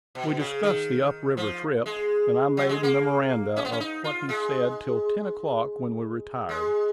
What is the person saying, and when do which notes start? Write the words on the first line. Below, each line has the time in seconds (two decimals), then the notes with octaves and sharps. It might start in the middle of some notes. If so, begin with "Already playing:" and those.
We discussed the up-river trip, and I made memoranda of what he said till ten o'clock, when we retired.
0.15 B2
0.39 C#3
0.63 D#3
1.37 F3
1.86 G#3
2.57 F#3
2.69 G#3
2.83 A#3
3.56 C#4
3.65 B3
3.72 C#4
3.80 D#4
4.04 F4
4.29 G#3
6.49 G#3